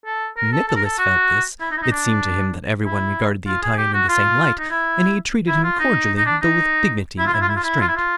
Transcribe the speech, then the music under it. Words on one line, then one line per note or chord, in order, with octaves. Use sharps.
Nicholas felt this, it seemed to him that everyone regarded the Italian in the same light, and he treated him cordially though with dignity and restraint.
A4
A#4
A4
A4
A#4
A4
F#4
E4
D#4
E4
D#4
D4
E4
F4
G#4
G4
F#4
F4
D#4
E4
E4
F4
D#4
D#4
D4
D#4
E4
F4
E4
F4
E4
F4
E4
F4
E4
F4